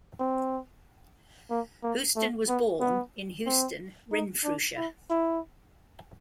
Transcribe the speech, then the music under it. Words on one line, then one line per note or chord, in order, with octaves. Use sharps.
Houstoun was born in Houston, Renfrewshire.
C4
A#3
A#3
A3
B3
B3
C4
D#4
D4
E4
E4